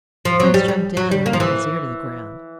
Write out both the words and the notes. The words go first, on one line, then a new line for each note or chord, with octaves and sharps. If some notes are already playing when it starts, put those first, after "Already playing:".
The prince jumped down and laid his ear to the ground.
F3
F#3
G3
G3
F#3
G3
A#3
F3
E3